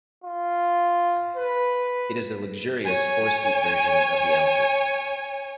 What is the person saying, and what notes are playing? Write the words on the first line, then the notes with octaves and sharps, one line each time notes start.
It is a luxurious, four-seat version of the Alphard.
F4
B4
C#5 G#5